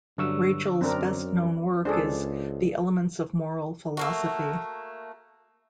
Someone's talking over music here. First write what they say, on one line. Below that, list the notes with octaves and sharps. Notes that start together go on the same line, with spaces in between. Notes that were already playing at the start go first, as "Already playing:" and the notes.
Rachels' best-known work is "The Elements of Moral Philosophy".
G2 D3 F#3 C#6 E6
F#2 C4 D4 A#4
C#2 D4 G#4 A4 C5
A3 A#3 F#4